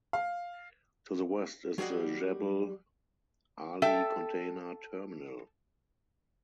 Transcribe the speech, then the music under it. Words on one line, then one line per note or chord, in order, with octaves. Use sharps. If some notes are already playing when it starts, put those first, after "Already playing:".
To the west is the Jebel Ali Container Terminal.
F5
F#3 G3 G#4 D#5 F#5
A4 E5 G5